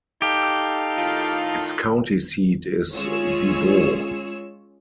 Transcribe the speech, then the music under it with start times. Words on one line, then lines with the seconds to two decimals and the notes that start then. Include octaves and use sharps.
Its county seat is Wibaux.
0.22 D#4 G4 A4 F5
0.97 A2 D#3 F4
2.94 G#3 C#4 F4 G#4 C#5 E6